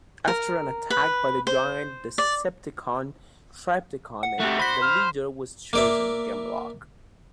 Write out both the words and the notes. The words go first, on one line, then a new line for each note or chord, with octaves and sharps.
After an attack by the giant Decepticon Trypticon the leader was chosen - Grimlock.
A#4
B4
C5
D5
F#5
A3 D4 F#4 G4
C5 B5 B6
F6
A#3 D5 E5